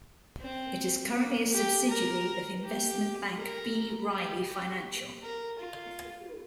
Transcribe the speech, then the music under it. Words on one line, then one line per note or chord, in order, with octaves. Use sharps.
It is currently a subsidiary of investment bank B. Riley Financial.
C4
A#3
G4
A#4
G4
A#4
G4
G4
A#4
F4